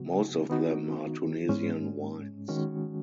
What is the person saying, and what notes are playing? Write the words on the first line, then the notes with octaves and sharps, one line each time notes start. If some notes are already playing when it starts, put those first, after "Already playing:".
Most of them are Tunisian wines.
Already playing: C#3 F#3 B3 F#4
D#3 B3 D#4 F#4
G#2 G#3 C#4
D#3 G#3 C#4 F#4